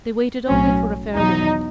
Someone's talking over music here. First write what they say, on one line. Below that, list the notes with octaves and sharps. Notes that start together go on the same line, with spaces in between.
They waited only for a fair wind.
B1 A2 F#3 C#4
E2 B2 F#3 D#4